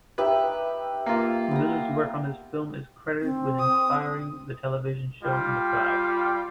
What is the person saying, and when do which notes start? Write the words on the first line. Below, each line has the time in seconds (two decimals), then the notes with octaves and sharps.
Miller's work on this film is credited with inspiring the television show McCloud.
0.18 D#4 G4 B4 E5
1.06 A#3 F4
1.51 B3 G4 A#5
3.21 C4
3.59 D#6
5.24 G3 F4 G5